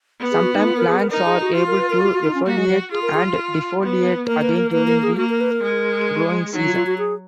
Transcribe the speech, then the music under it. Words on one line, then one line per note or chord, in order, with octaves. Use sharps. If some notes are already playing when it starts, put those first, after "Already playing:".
Sometimes plants are able to refoliate and defoliate again during the growing season.
B3
G#4
F#4
D#4
F4
A#4
G#4
A#4
D#4 A#4
G#4
F#4
F4 F#4
A#4
B4
A#4
F#4
F#4
D#4
C#4
A#3 F#4
G#3
F#3
F4 G#4
A#4
G#4
B3
A#3 A#4
B4
A#4
A#3 B4
A#4
G#4
A#3 F#4
A#4
B4
A#4
G#3
F#3 D#4
F4
F4
F#4
G#4